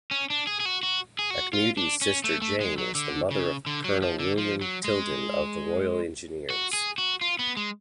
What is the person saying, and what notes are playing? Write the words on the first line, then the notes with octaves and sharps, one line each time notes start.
Auchmuty's sister Jane was the mother of Colonel William Tylden of the Royal Engineers.
C#4
D4
G#4
G#4
F#4
F#4
G#4
F#4
F4
D4
C#4
A3
A3
G#3
F#3
D3
C#3
D3
F#3
F3
D3
F3
F#3
G#3
F#4
G#4
F#4
F4
B3
G#3